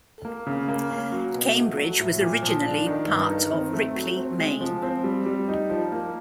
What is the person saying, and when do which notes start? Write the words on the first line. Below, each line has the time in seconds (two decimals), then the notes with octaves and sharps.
Cambridge was originally part of Ripley, Maine.
0.25 A#3
0.47 C#3
0.68 A#3
0.90 C#4
1.12 F#3
1.34 B2
1.55 A3
1.77 F#3
2.00 A2
2.21 A#2
2.43 F3
2.65 D4
2.87 D#3
3.08 G2
3.30 D#3
3.52 C4
3.73 A3
3.95 F#3
4.17 C4
4.39 G#3
4.61 F3
4.83 C4
5.04 G3
5.26 G3
5.48 D#4
5.69 F3
5.92 A#3